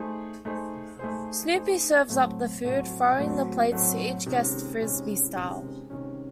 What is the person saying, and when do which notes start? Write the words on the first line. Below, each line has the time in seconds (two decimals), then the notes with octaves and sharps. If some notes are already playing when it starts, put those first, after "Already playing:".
Snoopy serves up the food, throwing the plates to each guest Frisbee-style.
Already playing: A3 D#4 G#4 C5
0.45 A3 D#4 G#4 C5
0.99 A3 D#4 G#4 C5
1.54 A3 D#4 G#4 C5
2.09 A2 F#3 A3 C4 F#4
2.63 A2 F#3 A3 C4 F#4
3.18 A2 F#3 A3 C4 F#4
3.72 A2 F#3 A3 C4 F#4
4.26 C3 D#3 G#3 C#4
4.81 C3 D#3 G#3 C#4
5.35 C3 D#3 G#3 C#4
5.90 C3 D#3 G#3 C#4